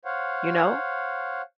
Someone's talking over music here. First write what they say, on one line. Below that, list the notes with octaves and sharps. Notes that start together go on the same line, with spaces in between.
you know?
C5 C#5 F5 F#5